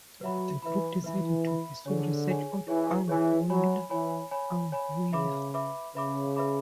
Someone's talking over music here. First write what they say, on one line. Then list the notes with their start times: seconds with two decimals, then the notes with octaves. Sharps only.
The group decided to pursue research on "Anguilla anguilla".
0.21 F#3 B4 E5 B5
0.62 E3 B4 E5 B5
1.04 E3 B4 E5 B5
1.44 B4 E5 B5
1.86 D3 G#4 C#5 G#5
2.27 G#4 C#5 G#5
2.67 E3 G#4 C#5 G#5
3.08 E3 G#4 C#5 G#5
3.50 F#3 C#5 G#5 B5
3.90 E3 C#5 G#5 B5
4.31 C#5 G#5 B5
4.72 C#5 G#5 B5
5.13 C#3 B4 E5 B5 D6
5.54 B4 E5 B5 D6
5.95 C#3 B4 E5 B5 D6
6.36 B4 E5 B5 D6